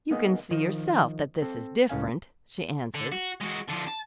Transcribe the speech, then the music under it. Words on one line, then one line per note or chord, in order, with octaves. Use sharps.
"You can see yourself that this is different," she answered.
A#3 B3 D#4 G#4 D#5
D#3 F3 D#4
C4 A4
C#2 A2 C#4 F5 G#5
D3
F#4
G#3 F#4
D3 F3
A5